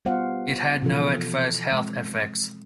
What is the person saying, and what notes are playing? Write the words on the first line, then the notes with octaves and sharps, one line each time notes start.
It had no adverse health effects.
G3 B3 F4 C5 F5 F#5
B2 E3 F3 F4 A4
G#3 C4